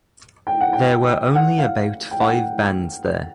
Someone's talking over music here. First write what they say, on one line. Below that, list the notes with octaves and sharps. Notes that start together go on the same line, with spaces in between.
There were only about five bands there.
G5
F#5
G5
F#5
F5
G5
F#5
G5